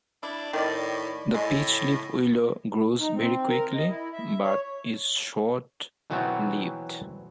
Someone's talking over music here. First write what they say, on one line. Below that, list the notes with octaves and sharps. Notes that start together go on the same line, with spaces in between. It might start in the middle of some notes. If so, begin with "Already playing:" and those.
The peachleaf willow grows very quickly, but is short-lived.
D4 E4
A2 D#3 D5
A2 G#3
D#4
C4
A#4
D#5
E4
E5
C#5
B2 E3 F#3 B3 C4 F#4